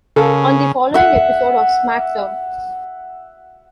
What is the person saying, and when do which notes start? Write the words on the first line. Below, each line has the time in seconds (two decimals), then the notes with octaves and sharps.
On the following episode of SmackDown!
0.16 C#3 A4 A#4 F5
0.94 E5 F#5